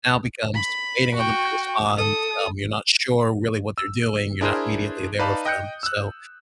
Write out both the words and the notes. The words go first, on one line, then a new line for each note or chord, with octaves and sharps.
now becomes waiting on them to respond, um, you're not sure really what they're doing, you're not immediately there with them, so
B5
F#4 G5
A4 D#6
E6
D4 E4 G#4 A#4 C5
D#4 B4 D5 F5 A5 B5
D#5 G5 D#6 F#6 G6 C#7
E6 F#6